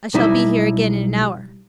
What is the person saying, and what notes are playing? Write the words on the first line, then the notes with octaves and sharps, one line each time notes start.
I shall be here again in an hour.
B1 G3 D#4 E4 E5